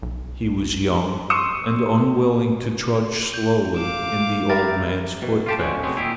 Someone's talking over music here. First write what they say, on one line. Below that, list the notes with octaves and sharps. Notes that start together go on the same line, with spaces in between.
He was young and unwilling to trudge slowly in the old man's footpath.
B1
C6 C#6 D#6 E6 C#7 E7
G6
F5 D6 E7
G4 A#4 E5 B5 A6
B2
F4 G4 A5
B2 F3 G#3 C#4
C3 F#3 G#3 A3 B3 C#4
A#2 D#3 E4 G4 G#4